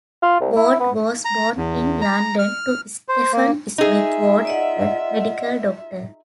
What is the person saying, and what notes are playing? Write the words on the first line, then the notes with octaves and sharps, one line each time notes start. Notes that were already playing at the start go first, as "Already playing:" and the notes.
Ward was born in London to Stephen Smith Ward, a medical doctor.
F4
C2
E4
B3
A#5
E2
A#5
F6
C5
A#3
D#4 F4 G#4 E5
D5 D#5 F#5